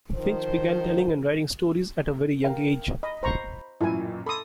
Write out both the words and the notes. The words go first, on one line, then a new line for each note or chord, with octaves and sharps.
Finch began telling and writing stories at a very young age.
D#3 F3 C5
A#4 F5 G5
D#5 B5
C5 A#5 C#6
A1 F#2 A#2 E4 G#5
A4 B5 C6 D6 D#6